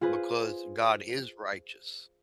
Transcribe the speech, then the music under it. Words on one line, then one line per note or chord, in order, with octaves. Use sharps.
because God is righteous.
F4 G#4 B4 C5